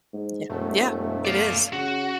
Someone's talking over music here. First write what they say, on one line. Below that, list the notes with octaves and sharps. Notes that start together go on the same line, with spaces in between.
yeah yeah, it is.
G#2
E1 F#2 B2 A3
D5 F5
C#3 F#4